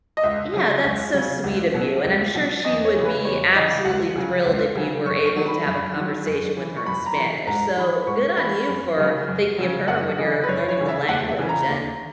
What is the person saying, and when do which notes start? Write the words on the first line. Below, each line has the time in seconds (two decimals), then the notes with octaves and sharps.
Yeah, that's so sweet of you, and I'm sure she would be absolutely thrilled if you were able to have a conversation with her in Spanish, so good on you for thinking of her when you're learning the language, and,
0.17 D#5
0.23 C#2 E5
0.53 C#3 F#3
0.84 C#2
1.14 C#3 F#3
1.44 C#2
1.74 B2 F#3
2.04 C#2
2.35 B2 F#3
2.64 E2 D#5
2.85 C#5
2.95 C#3 E3
3.05 B4
3.25 E2 C#5
3.55 C#3 E3 D#5
3.85 C#2 F#5
4.16 C#3 F#3
4.45 C#2
4.75 C#3 F#3
5.05 F#2 C#6
5.26 C#6
5.36 D#3 F#3
5.46 B5
5.66 F#2
5.96 D#3 F#3
6.26 F#2
6.57 E3
6.77 C#6
6.86 F#2 B5
7.06 A#5
7.17 E3
7.47 G#2 A#5
7.77 E3 B5
8.07 G#2 C#6
8.37 E3 B5
8.68 F#2
8.98 C#3 F#3
9.28 F#2
9.58 C#3 F#3
9.88 F#2 F#5
10.18 C#3 E3 D#5
10.43 B4
10.48 F#2 C#5
10.68 C#5
10.78 C#3 E3
10.89 E5
11.08 D#2 F#5
11.29 E5
11.39 C#3 E3
11.49 A#5
11.68 D#2